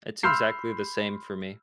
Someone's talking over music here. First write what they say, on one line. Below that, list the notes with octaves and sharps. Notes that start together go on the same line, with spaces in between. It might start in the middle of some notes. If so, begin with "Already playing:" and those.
It's exactly the same for me.
B5 C6 E6 F6 G6 C7